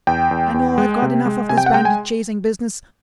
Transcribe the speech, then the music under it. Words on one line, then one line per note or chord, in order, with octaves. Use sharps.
I know I've got enough of this bandit-chasing business.
E2 G5
E2
E2
G#3
C3
G#3
C3 G#5
G5
F#5
G#3 G5
G#5